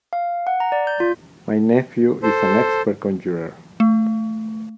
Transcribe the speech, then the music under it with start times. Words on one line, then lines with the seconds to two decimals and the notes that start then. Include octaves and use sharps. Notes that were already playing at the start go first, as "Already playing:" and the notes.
My nephew is an expert conjurer.
0.13 F5
0.47 F#5
0.60 A#5
0.72 D5
0.87 G6
1.00 F4
2.23 A4 C5
3.80 A3